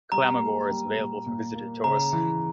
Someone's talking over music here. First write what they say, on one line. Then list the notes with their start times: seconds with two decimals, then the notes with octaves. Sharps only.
"Clamagore" is available for visitor tours.
0.12 G3 A#5
0.40 A#3
0.69 G3
0.98 A#2
1.26 A#2
1.55 A#3
1.84 C#3 A#5
2.13 E3